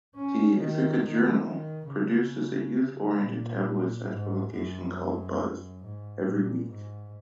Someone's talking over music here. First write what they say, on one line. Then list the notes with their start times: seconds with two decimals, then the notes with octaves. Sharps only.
"The Ithaca Journal" produces a youth-oriented tabloid-sized publication called "Buzz" every week.
0.15 C#4
0.58 D#3
1.02 D#3
1.45 D#3
1.89 C#3
3.20 A#2
4.07 G#2
4.51 F#2
5.39 F#2
5.83 G#2
6.25 A#2
6.70 G#2